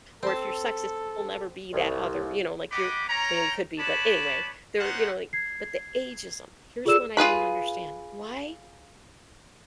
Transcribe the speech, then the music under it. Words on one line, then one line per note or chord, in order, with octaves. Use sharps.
Or if you're sexist, you will never be that other. You know, like, you're maybe you could be, but, anyway, they're, you know, like but the ageism, here's one I don't understand: why
C4 A4 A5
C2
B3 G4 D#5 B5 D6
C#4 C#5 G5 A#5
B4 C#5 D5 A5 B5
B3 C#4 D#4 C5 F#5
G#6 C7
F4 G#4 A4 D5 E6 E7
F4 G#4 B4 B5